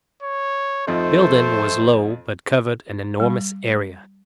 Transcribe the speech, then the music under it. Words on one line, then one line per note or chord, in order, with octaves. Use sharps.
The building was low, but covered an enormous area.
C#5
F2 F3 A3 D#4 C5
G3